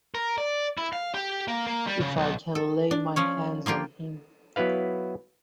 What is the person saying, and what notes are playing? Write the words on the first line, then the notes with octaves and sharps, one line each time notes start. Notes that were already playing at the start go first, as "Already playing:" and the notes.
If I can lay my hands on him!
A#4
D5
E4
F5
G4
A#3
A#3
G3
C#3
B1
A4
D4
F3 C#4 C#5
F3 A#3 F4 G4
F#3 B3 E4 B4 F5